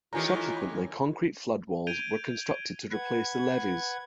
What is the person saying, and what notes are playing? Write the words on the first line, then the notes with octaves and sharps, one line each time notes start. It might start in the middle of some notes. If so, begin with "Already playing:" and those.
Subsequently, concrete floodwalls were constructed to replace the levees.
A2 D#3 E3 F4 G4 G#5 A#5
G6 G#6 D7 D#7 F7 G7
B4 F#5 G#6